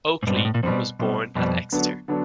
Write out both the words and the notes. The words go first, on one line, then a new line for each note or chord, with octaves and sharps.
Ockley was born at Exeter.
G#2
G2 B2 G3 C4
G#2
A2
A#2
F2 B2 G3 C4
B2 G3 C4
F2 B2 G3 C4
D3 F#3 B3 D4
D3 F#3 B3 D4